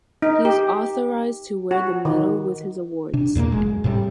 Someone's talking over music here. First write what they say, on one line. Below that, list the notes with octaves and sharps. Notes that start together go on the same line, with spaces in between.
He is authorized to wear the medal with his awards.
D#4
G4
F#4
D#3
C3 D4
E2 A#2 A3 A#3
F#1 G#3
A2 C3 F3 G3